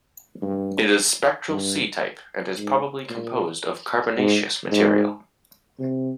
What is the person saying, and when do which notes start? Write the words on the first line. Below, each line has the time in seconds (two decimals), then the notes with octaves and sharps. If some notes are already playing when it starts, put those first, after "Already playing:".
It is spectral C-type and is probably composed of carbonaceous material.
0.42 G2
1.49 G2
2.57 G#2
3.10 A#2
4.18 G#2
4.71 G#2
5.79 C3